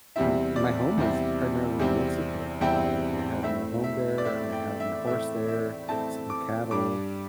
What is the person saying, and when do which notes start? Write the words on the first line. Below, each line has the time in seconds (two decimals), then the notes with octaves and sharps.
m my home is primarily in Mexico. I I have my home there, I have my horse there, some cattle,
0.16 E2 C3 G3 C4 E4 E5
0.56 D5
0.97 E2 C3 G3 C4 E4
1.79 E2 C3 G3 C4 E4
2.61 E2 C3 G3 C4 E4 G5
3.43 A2 A3 C4 E4 E5
3.84 E5
4.18 D5
4.25 A2 A3 C4 E4 E5
4.52 G5
4.80 E5
5.07 A2 A3 C4 E4 E5
5.48 E5
5.89 A2 A3 C4 E4 A5
6.30 D6
6.71 G2 G3 D4 D6